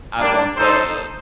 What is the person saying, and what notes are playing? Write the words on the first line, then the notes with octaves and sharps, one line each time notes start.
I want the the
G3 A#3 D4
D#4 A4 C5